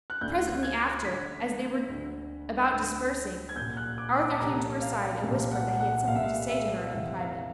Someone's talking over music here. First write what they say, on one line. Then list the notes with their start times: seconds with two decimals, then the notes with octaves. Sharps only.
Presently after, as they were about dispersing, Arthur came to her side and whispered that he had something to say to her in private.
0.10 F#6
0.21 D2 D3 G6
0.63 G#6
1.05 D2 D3 B6
1.88 D2 D3
2.72 D2 D3
3.49 G#6
3.56 C2 A#2 G6
3.77 F#6
3.98 D6
4.19 D6
4.31 A5
4.39 C2 A#2 A#5
4.82 F5
5.23 C2 A#2 F5
5.51 F#5
5.80 F#5
6.07 C2 A#2 F5
6.15 E5
6.23 F5
6.49 E5
6.86 F5
6.91 F2 C3 E3 E5
7.19 F5